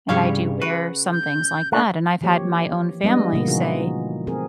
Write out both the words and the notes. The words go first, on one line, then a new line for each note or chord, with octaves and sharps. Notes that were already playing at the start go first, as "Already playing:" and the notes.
And I do wear some things like that. And I've had my own family say
C2 G2 C#3 G3 C#5 F5
F#4 B4
G6
A3 D4 F#6
E3 F3 A#3 G4 C#5
G3 G#3 B3 D4 B4 D#5
A#2 C#3 F3 A#3
C#3 E3 D#4 F4 F#4 G#4
A3 C4 G#4 A#4